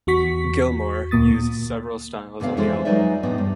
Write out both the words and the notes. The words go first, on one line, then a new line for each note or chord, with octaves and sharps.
Gilmour used several styles on the album.
E2 F#4 C#6 B6
D2 A#2 A#3 D#6 A6
D#2 C3 B3 D4 F5
F2 E3 G#3 F4 A4 C5
F#3 G#3 D#4 B4 D5 E5
E2 A2 B3 D4 D#4
G2